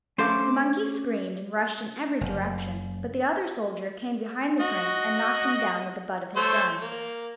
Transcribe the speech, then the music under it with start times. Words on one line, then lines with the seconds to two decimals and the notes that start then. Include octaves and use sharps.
The monkeys screamed and rushed in every direction, but the other soldier came behind the Prince and knocked him down with the butt of his gun.
0.18 A3 C#4 A4 C5 F5 D6
2.21 F#1
4.60 F#4 D#5
6.36 A3 C5 C#5
6.81 A#3